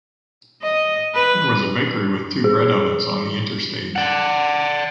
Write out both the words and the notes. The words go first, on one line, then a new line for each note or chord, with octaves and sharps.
There was a bakery with two bread ovens on the interstage.
D#5
B4
G#4
D5 F#5